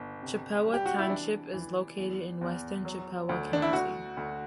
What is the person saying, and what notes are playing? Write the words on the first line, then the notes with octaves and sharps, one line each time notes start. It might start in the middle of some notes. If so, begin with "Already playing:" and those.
Chippewa Township is located in western Chippewa County.
Already playing: G1
C3
G3
G4
F#4
E4
E3 D4
E3
E2
E2
F#3
D2
D4
E4
D2 F#4
D2